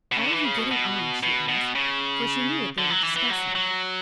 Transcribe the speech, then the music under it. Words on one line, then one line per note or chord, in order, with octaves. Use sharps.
"How are you getting on?" she asked, for she knew what they were discussing.
B2
C#3
D3
E3
C#3
B2
B2
B2
B2
C#3
D3
F#3
E3
E3
F#3
F#3